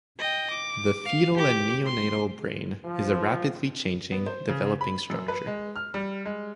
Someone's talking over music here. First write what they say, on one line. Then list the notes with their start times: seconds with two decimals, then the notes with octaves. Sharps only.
The fetal and neonatal brain is a rapidly changing, developing structure.
0.19 D#5 G5
0.50 D6
1.06 F5
1.37 G4 D6
1.86 C6
2.85 F3
4.12 B3
4.26 C5
4.49 C#3
4.81 B5
5.10 F#2
5.28 B4
5.47 G#3
5.76 F6
5.94 G3
6.25 G#3